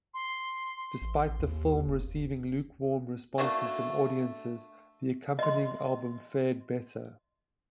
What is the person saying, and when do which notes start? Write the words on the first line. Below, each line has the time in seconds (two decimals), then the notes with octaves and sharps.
Despite the film receiving lukewarm responses from audiences, the accompanying album fared better.
0.14 C6
1.02 A1
1.40 D#2
1.87 F1
3.38 A3 A#3 D4 F#4
5.39 D#5 C6